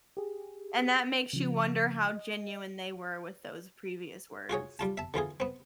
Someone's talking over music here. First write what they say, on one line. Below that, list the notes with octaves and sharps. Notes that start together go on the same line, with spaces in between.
and that makes you wonder how genuine they were with those previous words.
G4 G#4
C#3 F3
D#5
F4 F#4 G#4 C#5
G3 F4 A5
E5 A5
D3 E3 F4 G#4
B3 C4